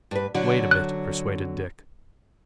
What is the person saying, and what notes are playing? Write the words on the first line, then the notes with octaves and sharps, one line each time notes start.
"Wait a bit," persuaded Dick.
G2 B4
D3 F#3
F#6